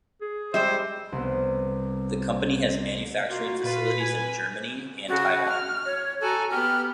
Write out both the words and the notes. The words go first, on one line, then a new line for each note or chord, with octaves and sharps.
The company has manufacturing facilities in Germany and Taiwan.
G#4
G3 G#3 C5 D#5 E5
C2 B3
A#3 F4 F#4
A#2 F4 B4
G#5
C#3 F#4
F6
C#5
F#4 A4 G#5 A#5
B3 G4 F6